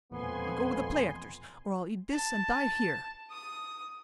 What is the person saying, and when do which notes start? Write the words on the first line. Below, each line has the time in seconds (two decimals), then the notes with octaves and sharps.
I'll go with the play-actors, or I'll eat this and die here.
0.12 E1 F2 A#2 B3 G#5 C6
2.12 A5
3.31 D#6